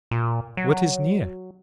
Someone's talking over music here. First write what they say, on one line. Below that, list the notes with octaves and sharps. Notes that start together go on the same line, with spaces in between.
What is near?
A#2
F#3